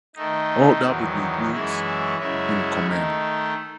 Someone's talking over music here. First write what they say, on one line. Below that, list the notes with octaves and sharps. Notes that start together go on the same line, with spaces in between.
O. W. Hughes in command.
D#3 A3 D#4
E2 D#3 F#3
F#2 E3 G#3 C#4 E4
F#2 C#3 G#3 C#4 E4
D#3 A3 D#4